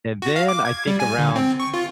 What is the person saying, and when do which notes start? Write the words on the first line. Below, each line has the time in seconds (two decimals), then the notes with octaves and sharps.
and then I think around
0.22 F#4
0.36 F5
0.48 D6
0.65 G#6
0.87 G3
1.00 G#5
1.19 D3
1.36 C4
1.60 C#6
1.74 F4